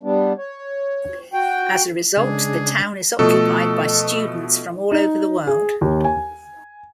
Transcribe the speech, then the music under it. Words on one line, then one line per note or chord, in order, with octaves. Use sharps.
As a result, the town is occupied by students from all over the world.
G3 B3 D4
C#5
F#4 G5
C#3 G#3 D4 G#4
B2 F3 A3 A4
D#4
G#4
D#2
G#5